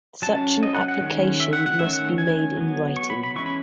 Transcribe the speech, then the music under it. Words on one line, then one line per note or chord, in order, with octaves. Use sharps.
Such an application must be made in writing.
F#3 C#4 A5
D#5
F#5
F#5
D#3 G#3 C#4
E5
F#5
F#5
D#3 A3 C#4 E5
F#5
G#5
F#3 B3
C#6
B5
B5
E3 G#3 C#4 C#6
B5